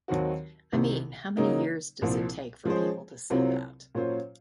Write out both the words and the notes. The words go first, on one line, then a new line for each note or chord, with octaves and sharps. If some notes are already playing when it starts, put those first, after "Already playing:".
I mean how many years does it take for people to see that?
D#2 D#3 F#3 C4 F#4
C2 C3 D#3
C#3 F#3 A#3 D#4
C2 A#2 F3 C4
F3 G#3 C#4 G#4 C5
C2 C3 F#3 C4 F4
A#2 F#3 C#4 F4 C5